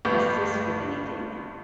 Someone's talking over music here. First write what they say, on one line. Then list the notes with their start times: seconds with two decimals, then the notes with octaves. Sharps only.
assist with anything?
0.05 G1 D2 G2 B3 G6